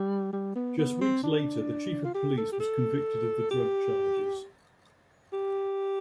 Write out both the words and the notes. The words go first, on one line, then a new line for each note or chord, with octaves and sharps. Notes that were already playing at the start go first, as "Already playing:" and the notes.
Just weeks later the chief of police was convicted of the drug charges.
Already playing: G3
G3
B3
B3
C4
D4
F4
G4
A4
G4
A4
G4
G4